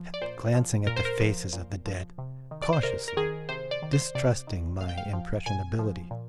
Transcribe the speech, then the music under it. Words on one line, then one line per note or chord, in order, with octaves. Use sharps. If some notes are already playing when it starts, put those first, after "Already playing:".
I kept glancing at the faces of the dead cautiously, distrusting my impressionability.
Already playing: F3
D5
A#2 C5
F3
A#2 A#4
C5
A#4
F3
A#2
F3
C3
D#3
D5
C5
C3 A#4
A#4
D#3 G#4
C3 C5
D5
D#3
C5
C3 D5
D#3
A#2 F5
G5
F5
F3
A#2 G#5
F3
A#2